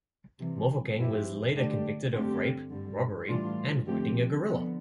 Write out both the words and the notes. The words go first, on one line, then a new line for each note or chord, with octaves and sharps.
Mofokeng was later convicted of rape, robbery and wounding a gorilla.
C3 E3 G3
G2 F3 C4 E4 G4
D3 A3 D4 G4
G2 D3 A3 C4 G4
G2 D3 G3
A2 E3 G3 D4 F4
D3 F3 A3 C4 G4
D3 F3 B3